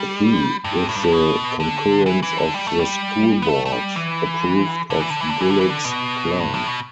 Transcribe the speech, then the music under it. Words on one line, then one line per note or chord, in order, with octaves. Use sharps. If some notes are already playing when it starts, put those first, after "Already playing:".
He, with the concurrence of the school board, approved of Gulick's plan.
Already playing: G3
G2
A2
G2
A2
B2
D3
E3
E3
D3
G3
A3
G3
B3
A3
A3
G3
E3
D3
E3
D3
E3
D3
E3
D3
E3
D3
B2
G2
A2
B2